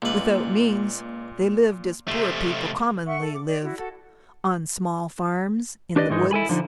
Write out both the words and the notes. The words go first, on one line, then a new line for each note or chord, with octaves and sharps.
Without means they lived as poor people commonly live, on small farms in the woods.
C#2 A#2 B4
C3 A3
E5 F#5 C#6
A4
D6
D5
E4 F#4
F#4 A4
D4 G4 B4 D5 D#5
G#2 D#3 E3 G#3 D#4
E4 A4 G#5 B5
D3 F3 D#4